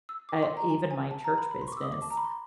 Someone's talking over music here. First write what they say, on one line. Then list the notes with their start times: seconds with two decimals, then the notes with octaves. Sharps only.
uh, even my church business.
0.09 E6
0.29 D6
0.36 C#6
0.43 C6
0.57 A#5
0.70 G#5
0.91 G#5
1.11 A5
1.24 A#5
1.38 B5
1.51 B5
1.61 C6
1.68 C#6
1.72 D6
1.77 E6
1.82 D#6
1.92 D6
2.02 A5
2.11 A#5
2.17 B5
2.25 C6